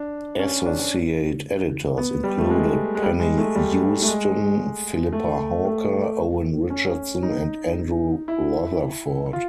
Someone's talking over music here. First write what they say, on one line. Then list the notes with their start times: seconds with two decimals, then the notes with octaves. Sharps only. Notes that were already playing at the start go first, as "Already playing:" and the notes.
Associate Editors included Penny Hueston, Philippa Hawker, Owen Richardson and Andrew Rutherford.
Already playing: D4
0.39 C#4
0.66 D4
1.98 B3
2.23 G3
2.38 A3
2.50 G#3
2.95 G#3
3.03 G3
3.20 G#3
3.38 A3
3.55 G3
4.02 A3
4.07 G#3
5.12 A3
5.65 A3
6.70 C#4
7.23 D#4
8.28 E4
9.33 F4